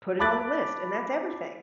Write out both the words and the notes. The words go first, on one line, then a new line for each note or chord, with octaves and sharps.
put it on the list, and that's everything.
A5 B5 D6 F#6 A6